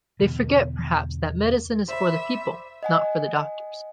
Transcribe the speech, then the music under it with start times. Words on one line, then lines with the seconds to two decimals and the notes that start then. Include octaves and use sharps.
They forget perhaps that medicine is for the people, not for the doctors.
0.20 E2 B2 D3 E3
1.88 C5 D5 E5 B5
2.83 D#5 F#5 G#5